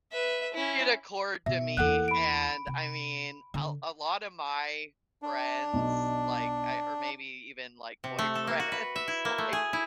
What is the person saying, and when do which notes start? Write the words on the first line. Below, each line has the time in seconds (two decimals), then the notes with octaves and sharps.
did accord to me, and, I mean, a a lot of my friends, like, I or maybe even, like, boyfriends, like,
0.12 B4 E5
0.54 C#4 E4
1.46 B2 E5
1.77 E2 A#3 A4 F#5 F#6
2.08 B5 D7
2.67 C3
3.54 D3
5.22 D4
5.73 B1 B2
8.04 C3
8.19 A3
8.35 A4
8.47 A#3
8.60 F#4
8.72 B4
8.96 E5
9.08 E4
9.25 A#3
9.38 A3
9.53 G#4
9.73 E4